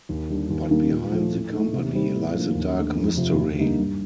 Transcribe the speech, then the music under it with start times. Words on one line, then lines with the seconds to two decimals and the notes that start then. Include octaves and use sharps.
But behind the company lies a dark mystery.
0.09 D#2
0.29 D3 G3 D4
0.50 D#2
0.70 D#3 G3 A#3 D#4
0.91 A#2
1.11 F3 A3
1.32 A2
1.53 A3 D#4
1.73 C3
1.93 G3 C4 D#4
2.14 A2
2.34 F3 A#3 D4
2.55 D#2
2.75 D3 A3 D#4
2.96 F2
3.17 C3 F3
3.37 D#2
3.58 D3 G3 A#3 D#4
3.78 G2